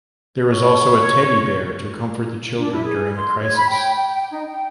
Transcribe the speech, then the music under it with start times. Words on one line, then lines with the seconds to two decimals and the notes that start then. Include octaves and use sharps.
There is also a teddy bear to comfort the children during a crisis.
0.53 C#5
2.58 D4
2.72 E4
2.84 G#4
3.15 C6
3.40 C#5
3.55 B5
3.70 G5
3.95 G5
4.14 G5
4.31 D#4
4.48 G5